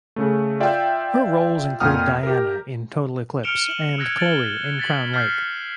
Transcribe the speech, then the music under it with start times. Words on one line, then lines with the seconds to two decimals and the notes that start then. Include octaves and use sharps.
Her roles include Diana in "Total Eclipse" and Chloe in "Crown Lake".
0.16 C#3 A3
0.60 F4 D5 E5 G5
1.80 F2 A#2 F#5 G5 D#6 F6
2.23 G4 A#4
3.43 F6 C#7 D7 E7 F7 G7
3.66 D#7 F#7
3.98 E6 F#6 G#6 A#6 C#7
4.18 A6 C#7 D7 E7 F#7 G7
4.79 A6 B6 F#7
5.13 F6 G6 A6 B6 C7